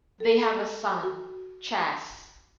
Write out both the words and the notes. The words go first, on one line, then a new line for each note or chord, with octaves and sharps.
They have a son, Chas.
A4
F#4